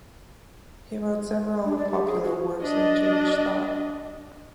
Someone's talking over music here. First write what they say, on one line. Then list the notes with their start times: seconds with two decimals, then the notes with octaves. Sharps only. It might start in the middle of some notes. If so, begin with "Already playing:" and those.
He wrote several popular works of Jewish thought.
1.65 D4
1.78 D5
1.90 G4
2.05 G#4
2.24 F#4
2.60 D4 D#5